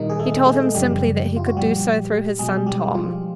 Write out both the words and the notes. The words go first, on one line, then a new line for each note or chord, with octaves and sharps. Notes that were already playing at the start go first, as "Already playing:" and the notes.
He told him simply that he could do so through his son Tom.
Already playing: A#2 D#3 G3 D#4
G#4
A3 A4
G#3 G#4
F#2 C#3 F3 G3 G4
F4
F#4
A#2 F3 G3 G4
B2 F#3 G#3 G#4
G3 G4
F3 F4